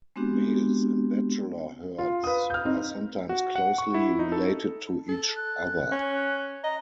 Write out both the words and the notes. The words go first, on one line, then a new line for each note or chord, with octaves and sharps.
Males in bachelor herds are sometimes closely related to each other.
G#3 B3 C4 D4 F#4 G4
F4
B4 F5 D#6
F6 G6
C4 D#4
F#4
F#5
C#6
E4
D#4
A4
A4
F#6
C#4
D#5 A#5